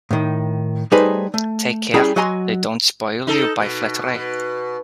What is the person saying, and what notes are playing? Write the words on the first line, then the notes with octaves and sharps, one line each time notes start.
Take care they don't spoil you by flattery.
A2 D#3
G3 A3 D#4 G#4 B4 C5
A3
G3 C#4 E4 G#4 G5 A#5
F#3 F#4 D#5 G#5 A#5 C6
D#4 A4
B2
B2